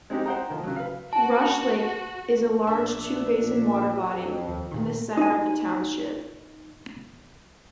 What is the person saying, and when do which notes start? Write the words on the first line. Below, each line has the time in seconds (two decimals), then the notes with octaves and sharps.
Rush Lake is a large two-basin water body in the center of the township.
0.10 G#3 C4 D#4 G4
0.26 C5 F#5 G5 A#5
0.49 D#3 F3
0.64 C#3 F#3
0.76 B4 F5
1.13 F#4 A5
2.67 A#1 D4 E5
3.38 A#2
4.10 F2
4.48 D#2
4.72 A#2 D#3
5.17 D#4 G#5